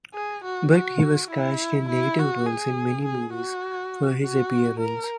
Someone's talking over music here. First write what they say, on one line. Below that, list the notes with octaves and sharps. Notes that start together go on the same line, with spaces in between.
But he was cast in negative roles in many movies for his appearance.
G#4
F#4
F#4
E4
E4
F#4
G#4
G#4
F#4
F#4
A#4